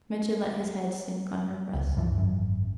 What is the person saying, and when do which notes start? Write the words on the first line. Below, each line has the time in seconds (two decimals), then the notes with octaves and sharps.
Mitya let his head sink on her breast.
1.74 C#2
1.97 G2 E3 F3
2.18 G#1 F#2